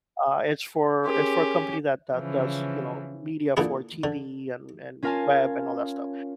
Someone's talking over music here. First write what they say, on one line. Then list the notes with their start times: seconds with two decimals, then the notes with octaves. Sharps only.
uh, it's for it's for a company that that does, you know, media for TV and and web and all that stuff,
1.06 C#4 G4 G#4 A#4 C6
2.13 C#3 E3 F3
3.57 A#2 D3 E4 G#4
4.04 D3
5.03 C#4 F4 A#4 F5 G#5 A5